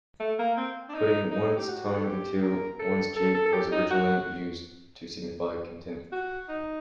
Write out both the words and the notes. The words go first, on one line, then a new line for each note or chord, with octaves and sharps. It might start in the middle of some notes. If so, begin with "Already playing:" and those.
Putting one's tongue into one's cheek was originally used to signify contempt.
A3
A#3
C4
D4
D#4
D#4
G4
F#4
A4
G4
A#4
A4
A4
A4
A4
G4
D#4
F#4
F#4
D#4